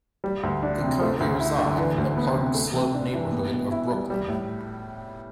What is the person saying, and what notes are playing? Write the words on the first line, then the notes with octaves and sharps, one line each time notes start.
They currently reside in the Park Slope neighborhood of Brooklyn.
G3
D2
D4
C3
A3
D2
E4
D3
E3
D2
B3
C3
A3
C3
D4
E3
B3
B2
E4
G3
G3
A2